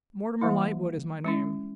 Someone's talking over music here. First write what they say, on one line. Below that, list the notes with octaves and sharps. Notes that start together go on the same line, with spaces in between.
'Mortimer Lightwood is my name.
E3 G3 A#3 E4
G#3 C#4 E4